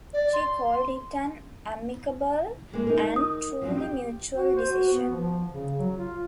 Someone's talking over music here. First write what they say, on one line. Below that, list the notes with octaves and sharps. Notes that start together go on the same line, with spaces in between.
She called it an "amicable and truly mutual decision".
D5
C6
G3 G#3 A#3
D#4 A#4
D#6
F3 F#3 C4
G4
F#4
C5
F#4
B3
F3
C#3
F#3
F4